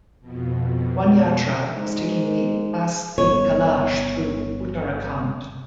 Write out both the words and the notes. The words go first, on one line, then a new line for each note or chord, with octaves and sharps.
One Yatra is taking the asthi Kalash through Uttarakhand.
F2 B2
G#2
G1 B3 C#5